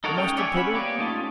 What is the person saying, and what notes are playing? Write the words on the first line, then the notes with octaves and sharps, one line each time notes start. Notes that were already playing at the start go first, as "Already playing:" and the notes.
'The mustard, Prebble?
D#4 A4 A#4 C#5 F#5
G#3 C#4 G5
C#5 D5 E5 G5 G#5
C4 C#4 F#5 B5
A#3 B3 G4 C#5 D5
A3 C#4 D#4 F4 A5